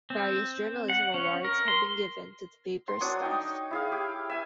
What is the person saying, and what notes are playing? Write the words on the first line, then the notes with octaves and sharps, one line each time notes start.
Various journalism awards have been given to the paper's staff.
C4
F#5
C#4
A#4
C6
C6
F#3 D4 C#5 D#6
D#4 G5
E4 G#4 F5
G4
E5 G#5